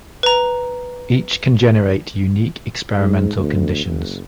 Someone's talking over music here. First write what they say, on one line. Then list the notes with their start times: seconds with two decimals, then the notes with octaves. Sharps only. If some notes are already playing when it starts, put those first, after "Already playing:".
Each can generate unique experimental conditions.
0.23 B4 A#5
2.98 G#2
3.37 D2
3.84 F#1